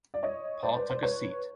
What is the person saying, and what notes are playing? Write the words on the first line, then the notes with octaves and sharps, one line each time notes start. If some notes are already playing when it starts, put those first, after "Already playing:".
Paul took a seat.
D5
C#5 D#5
C5 D5
B4
C5
B4 C#5